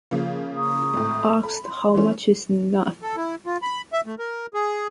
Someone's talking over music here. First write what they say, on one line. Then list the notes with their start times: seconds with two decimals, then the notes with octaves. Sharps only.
Asked how much is enough?
0.11 C#3 F3 A#3
0.56 A#5 C#6 D#6
0.93 G#1 A2
1.43 A4 A#5 B5
1.62 C6
1.95 E3 A3 C#4
3.02 A4
3.17 E4
3.46 F4
3.62 B5
3.93 E5
4.06 A3
4.19 A#4
4.54 G#4